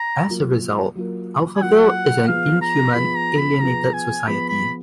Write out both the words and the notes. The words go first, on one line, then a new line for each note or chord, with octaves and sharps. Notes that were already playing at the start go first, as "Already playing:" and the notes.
As a result, Alphaville is an inhuman, alienated society.
Already playing: A#5
F#3 A#3 F4 A#4
F#3 A#3 F4 A#4
G#5
F#3 A#3 F4 A#4 F#5
F3 B3 F4 G#4 B4 F5
A#5
F3 B3 F4 G#4 B4 B5
A#5
B5
F3 B3 F4 G#4 B4 A#5
G#5
F3 B3 F4 G#4 B4 B5
B5